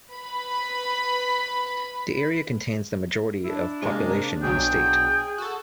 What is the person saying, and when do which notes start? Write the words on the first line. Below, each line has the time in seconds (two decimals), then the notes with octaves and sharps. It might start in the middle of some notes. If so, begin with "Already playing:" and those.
The area contains the majority of population in the state.
0.12 B4 B5
3.44 D4 E4
3.82 C3 G#3 A#3
4.43 B1 B2 F#3 G#4 G5
5.38 F#4 A4